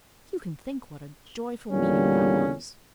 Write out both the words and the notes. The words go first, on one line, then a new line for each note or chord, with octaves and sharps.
You can think what a joyful meeting that was!
E2 A#2 D3 G3 C#4